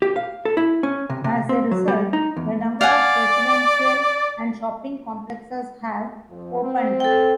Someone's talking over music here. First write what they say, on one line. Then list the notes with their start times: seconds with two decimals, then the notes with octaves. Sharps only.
As a result, a number of residential and shopping complexes have opened.
0.02 G4
0.16 F5
0.45 A4
0.57 E4
0.83 C#4
1.10 C3
1.24 C3
1.49 C4
1.71 F#3
1.88 G3
2.13 D#4
2.37 E2
2.81 D5 F5 F#5 G#5
6.29 F2 F3
6.62 C4
7.00 A4 G5